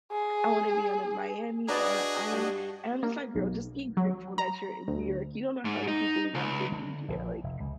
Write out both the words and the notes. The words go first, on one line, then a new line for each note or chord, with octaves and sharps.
I wanna be out in Miami or on an island." And I'm just like, "Girl, just be grateful that you're in New York, you don't know how many people want to be here." Like,
G#4
D4 F#4 G#4 B4 D5 D#5 A#5
G2
A#3
B1
F#3
A#5
D2
G#2
D#4
C#2
D3
A#1
F1
C#2